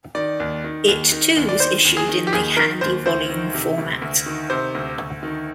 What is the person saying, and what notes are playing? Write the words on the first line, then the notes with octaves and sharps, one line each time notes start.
It too was issued in the "Handy Volume" format.
D#3 D5
D#2
D#3
D#2
D#3
D#2
D5
D#3 C5
D#2
G#4
D#3
G4
D#2 G#4
D#3 A#4
D#2 C5
D2 C5
D#3
C3
D2
D2
D#3
C3 C5
D2
D2
D#3